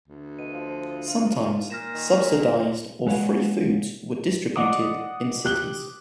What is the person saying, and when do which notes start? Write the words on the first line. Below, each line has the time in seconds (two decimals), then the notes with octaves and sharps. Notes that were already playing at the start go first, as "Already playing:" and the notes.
Sometimes, subsidized or free foods were distributed in cities.
0.08 D2
0.39 B2 D#7
0.53 F3
1.08 F4
1.70 A#2 F6 A#6 E7
1.94 D#3
3.07 G#3 B4 C#5 F5 F#5
4.56 D5 D#5 F#5 D6 D#6
5.45 G4 F#6 G7